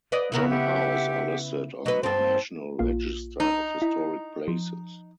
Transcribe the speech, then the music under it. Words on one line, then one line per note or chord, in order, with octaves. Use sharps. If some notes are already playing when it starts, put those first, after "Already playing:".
John House are listed on the National Register of Historic Places.
B4 D5 D#5
C#3 B3 E4 A#4
G4 E5 F#5
F#3 B4 D#5
G2 C4 A5 C6
A#1 A#3 F4
D#4
E4
F3